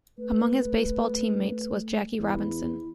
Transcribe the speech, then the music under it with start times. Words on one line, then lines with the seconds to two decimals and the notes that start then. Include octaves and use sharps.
Among his baseball teammates was Jackie Robinson.
0.18 A3 B4
2.18 E2 E4